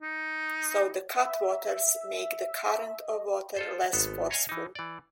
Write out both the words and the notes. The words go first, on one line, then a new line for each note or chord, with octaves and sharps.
So the cutwaters make the current of water less forceful.
D#4
E5
D#5
F4 A4 C5
G#1 B3 A4
C#5 D#5 F5 G#5
E3 D#4
E3 D5